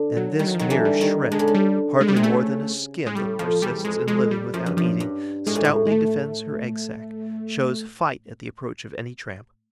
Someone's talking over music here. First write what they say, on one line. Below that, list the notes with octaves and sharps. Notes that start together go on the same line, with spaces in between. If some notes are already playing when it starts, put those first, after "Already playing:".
And this mere shred, hardly more than a skin that persists in living without eating, stoutly defends her egg-sack, shows fight at the approach of any tramp.
Already playing: D3
F#3
D#3 G3
F#3
F3
D#3 F#3
D3 E3
G3
D#3
D3 G#3
C#3
D3
G3
G#3
G3
C3 G#3
C#3 A3
G#3
A2 G3
F2 F3
E2 G3
F2 G#3
F2 G#3
G3
F#2 F3
G2
F#2 F3
G2
A2 G#3
A#2
A2
G#3
A3